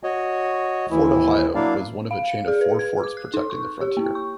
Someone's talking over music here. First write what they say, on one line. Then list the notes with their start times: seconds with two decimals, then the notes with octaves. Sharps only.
Fort Ohio was one of a chain of four forts protecting the frontier.
0.03 F#4 C#5 D#5
0.90 D#2 E3 E4
1.55 F#3 A#3 D4 E4 D5 F5
2.11 F5
2.29 C#7
2.48 G#4
2.61 B4
2.79 G#6
3.04 D6
3.17 F#6
3.34 D#4
3.50 C#6
3.81 G4
3.97 A#3
4.15 C#6